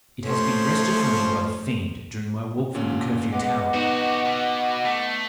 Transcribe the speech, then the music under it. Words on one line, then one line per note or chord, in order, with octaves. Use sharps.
It has been wrested from me by the fiend, during my walk from the Curfew Tower.
F3 A3 C#4 C5
A#2 D3 C#4
G#3 B3 D#5 F#5 D6
B3 D#4 F#4 G4
B2
A3